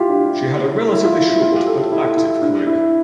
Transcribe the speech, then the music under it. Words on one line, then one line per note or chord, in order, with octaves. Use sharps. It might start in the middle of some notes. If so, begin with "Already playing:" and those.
She had a relatively short, but active, career.
Already playing: E4 F4 G4
D4
E4
E4
F4
E4
F4
G4
A4
G4
E4
E4
D4
E4